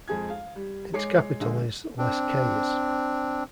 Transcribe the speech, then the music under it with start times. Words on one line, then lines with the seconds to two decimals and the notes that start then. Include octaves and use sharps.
Its capital is Les Cayes.
0.08 F2 G#3 G#4 G#6
0.30 F5
0.56 G3
0.94 G#3 C#5 D6 C7
1.40 A#1 D3 G#3
1.98 C4 D4